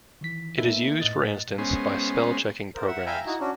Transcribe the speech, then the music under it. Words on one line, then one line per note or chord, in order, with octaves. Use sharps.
It is used, for instance, by spell-checking programs.
D#3 E3 B6
A#3 B3 D#4 A4 B4 E5
A2 B4 D#5 A6
G#3 B3 C#4 C5
A#4 C5
E5 F#5
E5 F5 G5 G#5 A#5 B5
D#4 E4 F#4
C#4 D4 F#4